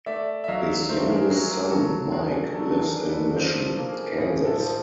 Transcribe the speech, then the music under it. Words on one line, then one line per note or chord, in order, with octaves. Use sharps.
His youngest son, Mike, lives in Mission, Kansas.
A3 D5 E5
E5
F#3 D#5 F5
A3 A#4 C5
G#4 A#4
F#3 G#4 A#4
G#4 A#4
F#3 A4
D4 G#4 A#4
F#3 A4
A4
G#4 A#4
D4
A4 B4
F3 A4
A4
A#3
G#4
A2 G#4
A4
F3 A4